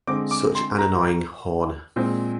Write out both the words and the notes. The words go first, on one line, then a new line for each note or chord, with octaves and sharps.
Such an annoying horn.
D3 G#3 C4 D6
D6
C6
A#5
A#2 G#3 C4